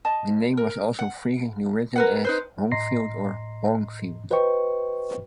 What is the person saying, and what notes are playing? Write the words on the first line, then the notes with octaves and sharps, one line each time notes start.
The name was also frequently written as "Hongfield" or "Honghfield".
D#5 A5
A#4
F#5
A#4 B4 F#5
D#4 B4 C5
A2 D#5 A#5 C6 A#6 C7
F#4 B4 C5 D#5 G5 C#6